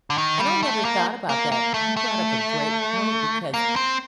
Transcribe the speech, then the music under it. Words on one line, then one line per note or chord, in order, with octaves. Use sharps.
And I never thought about that. You brought up a great point because
D3
D#3
G3
A3
A#3
A#3
A#3
A3
A3
A#3
C4